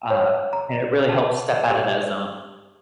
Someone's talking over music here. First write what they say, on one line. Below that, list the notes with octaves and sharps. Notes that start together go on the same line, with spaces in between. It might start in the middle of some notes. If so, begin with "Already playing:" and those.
Uh, and it really helps step out of that zone.
C#5
A#5
A5
G4